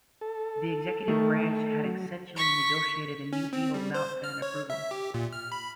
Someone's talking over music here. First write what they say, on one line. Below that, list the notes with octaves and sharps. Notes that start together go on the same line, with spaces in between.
The executive branch had essentially negotiated a new deal without Senate approval.
A4
D#3 A3
F#3
C#6 B6
C#4
C4
G3
C5
F6
C#5
E5
G4
A#2
F6
B5